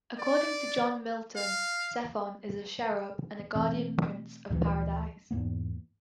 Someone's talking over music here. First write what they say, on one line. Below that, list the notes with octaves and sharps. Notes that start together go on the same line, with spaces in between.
According to John Milton, Zephon is a cherub and a guardian prince of Paradise.
D5
F5
B2 E3 A3 C4
D2 A#2 E3 F3
E2 G#2 A#3 B3